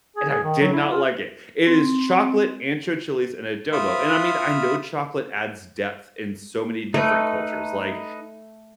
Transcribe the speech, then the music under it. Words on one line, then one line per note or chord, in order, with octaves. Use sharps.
and I did not like it. It is chocolate, ancho chilies and adobo, and I mean, I know chocolate adds depth in so many different cultures, like,
G#4
G#4
D#3
F#3
E4
F4
C4
F4 E5 B5 D#6 F6
A3 D#4 B4